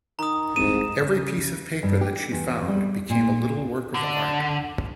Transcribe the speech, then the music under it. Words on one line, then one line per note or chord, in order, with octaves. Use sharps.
Every piece of paper that she found became a little work of art.
D#3 A#5 D#6
C2 G#2 D#7 E7
C#3
G2
G4
E2
G3
A#2
D3